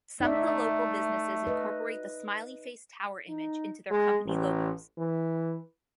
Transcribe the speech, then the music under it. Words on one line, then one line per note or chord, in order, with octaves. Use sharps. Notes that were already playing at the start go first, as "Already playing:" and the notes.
Some of the local businesses incorporate the smiley-face tower image into their company logos.
A3 D#4 D5 E5
B4 D#5
D#4
G#3
A1
E3